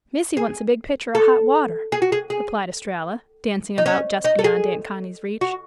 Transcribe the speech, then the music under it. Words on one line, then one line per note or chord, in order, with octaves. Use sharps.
"Missy wants a big pitcher of hot water," replied Estralla, dancing about just beyond Aunt Connie's reach.
G#4
A4
G#4
F#4
G#4
G#4
D#4
C#4
D#4
A4
G#4
F#4